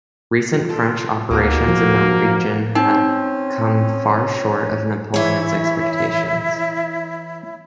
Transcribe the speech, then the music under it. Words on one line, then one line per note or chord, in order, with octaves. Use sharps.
Recent French operations in the region had come far short of Napoleon's expectations.
F4 A4 G5
D2 B2 G3 A#3 D#4
F3 F#4
C4 C#4 D#4
E3 E4 C#5